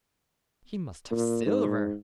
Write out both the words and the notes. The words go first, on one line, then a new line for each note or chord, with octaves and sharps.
He must have silver.
A#2
G#2